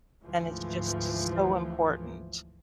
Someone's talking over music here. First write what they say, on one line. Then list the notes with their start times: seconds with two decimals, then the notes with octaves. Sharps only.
and it's just so important.
0.22 D2 G#2 E3 F3